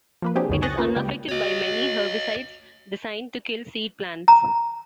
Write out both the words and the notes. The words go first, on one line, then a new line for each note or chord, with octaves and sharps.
It is unaffected by many herbicides designed to kill seed plants.
F3 A#3 B4
C3 F#3 C4 D4 G4 G#4
C#2 F#2 D3 D#3 C#5
G#5 C#6 D#6 F#6 A6 A#6
A#3 C#4 F4 B4
C#2 G3 G4 G5
F#4 C#5 D#5
A#5